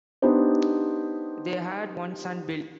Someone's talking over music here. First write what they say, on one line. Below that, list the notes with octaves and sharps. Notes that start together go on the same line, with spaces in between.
They had one son, Bill.
B3 D4 D#4 G4 C5